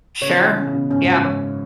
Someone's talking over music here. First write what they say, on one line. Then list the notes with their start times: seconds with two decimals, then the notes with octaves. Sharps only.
Sure. Yeah.
0.21 C#3 C#5
0.39 E3
0.56 C#3 C#4
0.67 C#3
0.73 B2
0.91 G#2 C#4
1.04 F#2
1.17 G#2
1.25 C#5